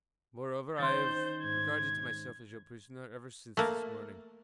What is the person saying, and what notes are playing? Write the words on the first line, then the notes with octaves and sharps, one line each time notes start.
Moreover, I have regarded myself as your prisoner ever since this morning.
D#3 C4 C#4 C5 C6 G6 A6
G#2 G#6
A3 A#3